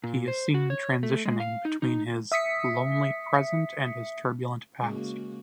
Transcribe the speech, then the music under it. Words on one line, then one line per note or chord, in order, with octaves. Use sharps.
He is seen transitioning between his "lonely present and his turbulent past".
A#2
C5
F#4
C#5
A3
G#3
F5
D#4
D#4
E5 D#6 B6 C#7
C#3 G#3 A#3 F#4